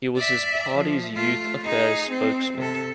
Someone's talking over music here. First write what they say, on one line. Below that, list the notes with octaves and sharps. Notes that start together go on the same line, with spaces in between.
He was his party's youth affairs spokesman.
D5 E5
F3
A3 F4
D#4 G#4
C4
C3 A4